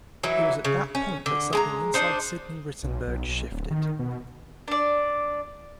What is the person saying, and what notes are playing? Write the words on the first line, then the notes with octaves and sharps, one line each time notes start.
It was at that point that something inside Sidney Rittenberg shifted.
E3 F#3 D#4 E4
C#3
C#4
D3
G#3 G#5 A#5
D4 D#4 C5
B1
B1
B1
D1
D#3
B2
D4 D5